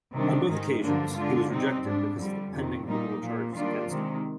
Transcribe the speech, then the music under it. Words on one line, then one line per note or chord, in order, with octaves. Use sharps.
On both occasions he was rejected because of the pending criminal charges against him.
C3 D#3 G3 D4
G#2 D#3 G#3 D#4
G2 D3 F3 A#3 D4
D3 G#3 D4 F4
C3 G3 C4 D#4
G#2 G3 D4
F2 D3 G3
F2 C3 D#3
A#2 G3 A#3 D#4
A#2 F3 A#3
D#3 G3 A#3 D4 F4
C3 D#3 G#3